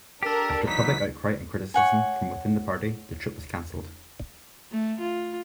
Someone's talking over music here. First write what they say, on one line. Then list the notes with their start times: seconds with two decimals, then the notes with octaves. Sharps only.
After public outcry, and criticism from within the party, the trip was cancelled.
0.23 D4 G4 A4 A#4
0.67 E3 F#3 D#4 B6
1.74 C#5 F#5 G#5
4.71 A3
5.01 F4